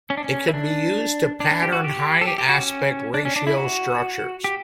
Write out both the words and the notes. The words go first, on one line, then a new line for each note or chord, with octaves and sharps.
It can be used to pattern high aspect ratio structures.
C#4
D4
C#4
E4
D4
D4
D4
G4
F#4
G4
A4
G4
G4
F#4
C#4
D4
C#4
D4
E4
F#4
G4